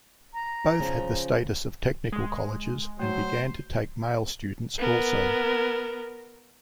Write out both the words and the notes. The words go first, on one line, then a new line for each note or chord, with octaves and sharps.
Both had the status of technical colleges, and began to take male students also.
A#5
C#3 F3
G#3
F#3 A3 C5
B3 A#4